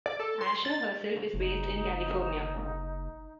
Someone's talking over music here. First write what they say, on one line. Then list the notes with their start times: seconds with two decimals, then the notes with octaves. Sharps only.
Asher herself is based in California.
0.06 D5
0.20 A4
0.41 C6
0.65 A6
1.34 F#1 D#4